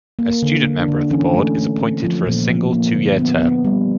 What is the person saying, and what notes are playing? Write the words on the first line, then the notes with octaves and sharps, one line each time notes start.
A student member of the Board is appointed for a single two-year term.
A#3
D3
D3
D4
D3
E3 C#4
A3
A3
C4
F3
A#2
F3
A#3
D3
B3
B3
G3